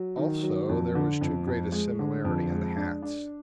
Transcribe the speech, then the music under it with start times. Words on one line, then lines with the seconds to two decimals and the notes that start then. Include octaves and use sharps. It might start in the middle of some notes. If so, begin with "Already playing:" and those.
Also, there was too great a similarity in the hats.
Already playing: F#3
0.17 D#3
0.43 F#3
0.69 F2
0.95 D3
1.21 F2
1.47 F2
1.72 G#3
1.99 D3
2.24 F2
2.50 G#3
2.76 D4
3.02 D4